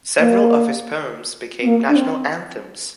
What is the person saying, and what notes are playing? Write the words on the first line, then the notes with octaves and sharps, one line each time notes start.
Several of his poems became national anthems.
A#3
C4
A#3
D4
C4